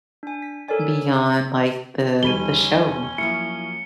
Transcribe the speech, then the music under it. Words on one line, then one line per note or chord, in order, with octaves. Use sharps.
beyond, like, the the show.
D4 G#5
B6
A4 A#4 C#5 D5 G#5
E2 G3 C#4 D#4 A4 B5 D#7 G7
F3 F#3 A#3 E4 C#7